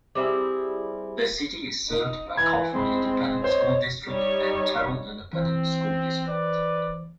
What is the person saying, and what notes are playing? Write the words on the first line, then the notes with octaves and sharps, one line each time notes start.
The city is served by Kaufman Independent School District and Terrell Independent School District.
G3 C4 E4 G#4
D#4
E3 B5 G#6
G#3 C4 B5
C5 C#5 D#5
G3 D#4 C#5
E3 C4 C5
B4 D5